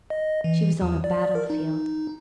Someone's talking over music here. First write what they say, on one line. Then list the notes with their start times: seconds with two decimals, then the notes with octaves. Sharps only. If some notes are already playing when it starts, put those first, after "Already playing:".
She was on a battlefield.
0.10 D#5
0.44 E3
0.81 E2
1.04 D5
1.35 A#4
1.50 D#4